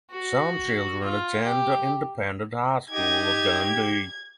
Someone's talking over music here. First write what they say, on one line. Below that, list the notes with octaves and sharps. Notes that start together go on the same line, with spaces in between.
Some children attend the independent High School of Dundee.
F#4
F4
G4
D#4 G4 G#6